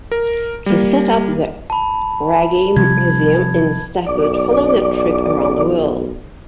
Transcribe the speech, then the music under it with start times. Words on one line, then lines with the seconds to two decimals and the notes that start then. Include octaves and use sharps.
He set up the Wragge Museum in Stafford following a trip around the world.
0.11 A#4
0.66 G3 A#3
1.70 A5 B5
2.77 C3 F3 G3 G#6
4.07 B1 D5